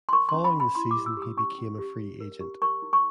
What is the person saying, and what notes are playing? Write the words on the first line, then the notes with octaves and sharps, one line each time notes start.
Following the season, he became a free agent.
C6
A#4 C#6
C6
C#4
B5
C#4
B5
E4 C6
D6
G4
E6
G4
D#6
C#4 C#6
C#4
G4
G4
A#4
G4
A#4 C#6
D#4
C#6